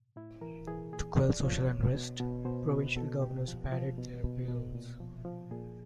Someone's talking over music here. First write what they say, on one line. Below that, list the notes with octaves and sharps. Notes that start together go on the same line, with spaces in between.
To quell social unrest, provincial governors padded their payrolls.
A2 E4
E3 A#4
E3 G#4
A#2 G#4
F3 D5
F3 C#5
B2
B2
B2
B2 C5
B2 B4
B2 A4
A#2 G4
F3
F3
B2
B2
B2
A#2
F3
F3
A#2 G#4